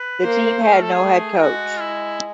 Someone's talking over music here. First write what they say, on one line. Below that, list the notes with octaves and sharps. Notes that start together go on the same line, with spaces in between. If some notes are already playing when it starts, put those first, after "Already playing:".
The team had no head coach.
Already playing: B4
A#3 C5
A3 C5
A#4
A4
G#4
A3
F4
G#3 F#4
F4
E4